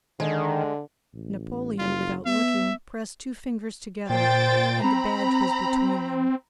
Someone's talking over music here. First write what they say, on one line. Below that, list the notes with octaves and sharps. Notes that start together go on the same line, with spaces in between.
Napoleon, without looking, pressed two fingers together and the badge was between them.
D3 D#3 G#3
A1
F#1 F4
B3 E5
A#2 C5 G5 A6
C4 A#5 B5